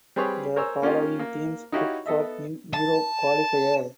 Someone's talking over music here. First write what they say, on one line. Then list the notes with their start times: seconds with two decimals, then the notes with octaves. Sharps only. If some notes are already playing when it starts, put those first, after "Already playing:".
The following teams took part in Europe qualifier.
0.16 G3 C4 G#4 B4 C#5
0.56 A#4 C5 C#5 G#5 E6
0.82 A#3 C#4 F4 G4
1.19 A#3
1.72 D#4 E4 F#4 G4 C#5 F5
2.06 B3 A4 D#5 E5
2.74 A5